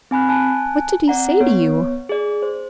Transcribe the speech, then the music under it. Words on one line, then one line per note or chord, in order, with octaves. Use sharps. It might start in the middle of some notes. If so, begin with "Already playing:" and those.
"What did he say to you?"
C4 G#5 B5 F#6
G#5 A5 F#6
C4 D5 F#5 A#5
B3 C#5
G#4 D5
C5